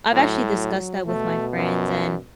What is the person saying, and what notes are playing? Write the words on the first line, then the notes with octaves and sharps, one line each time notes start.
I've actually discussed that with my friends, and
A2 F#3
F#3
B2 A3
F#2